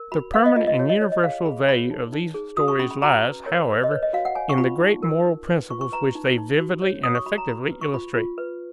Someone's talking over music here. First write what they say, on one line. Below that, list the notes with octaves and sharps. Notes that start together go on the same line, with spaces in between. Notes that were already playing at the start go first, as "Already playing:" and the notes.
The permanent and universal value of these stories lies, however, in the great moral principles which they vividly and effectively illustrate.
Already playing: A#4
F#4 B5
B4 F5
D#5
F4 D#5
D#5
F4 C#5
D#5
C#5
D#5
G#4 F5
G#4 B5
C#5 B5
D#4
D#4
G#4
F#4 D#6
C#6
C#4 B5
B5
F#4 A#5
B4
A#4 C#5
A#4
D#5
B4 C#5
D#5
F#4 F5
F#5
C#5 G#5
C#6
F4 B5
D#4
A#4
D#4
B4
F4 C#6
C#6
B4 A#5
D#4
D#4
F#4
C#5
F#4 D#6
C#6
F#4 B5
A#5
F#4 B5
B4
C#6
F4 B5
F4
B4